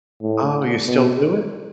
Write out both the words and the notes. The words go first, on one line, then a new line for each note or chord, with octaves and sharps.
Oh, you still do it?
A2
B2